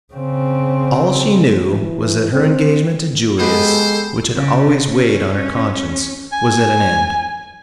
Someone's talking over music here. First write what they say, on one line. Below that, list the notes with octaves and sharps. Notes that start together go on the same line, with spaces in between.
All she knew was that her engagement to Julius, which had always weighed on her conscience, was at an end.
C#3 C4
E3
C4
G#3 B3 G4 A4 B4 C5
C#3
C#4
G#5